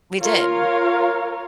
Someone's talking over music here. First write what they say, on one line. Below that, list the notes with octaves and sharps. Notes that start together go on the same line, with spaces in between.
We did.
F4 A#4 C#5 F5